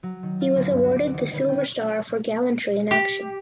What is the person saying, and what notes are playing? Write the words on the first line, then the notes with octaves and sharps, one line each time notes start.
He was awarded the Silver Star "for "gallantry in action.
F#3
D#3
F4
D2
G2
F#4
D6
D#3
B3
G5
G4